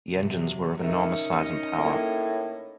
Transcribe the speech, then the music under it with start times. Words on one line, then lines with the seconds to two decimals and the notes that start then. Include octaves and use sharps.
The engines were of enormous size and power.
0.12 C3 F#3
0.79 C#4 D#4 A#4 D#5 E5
1.78 A2 A#3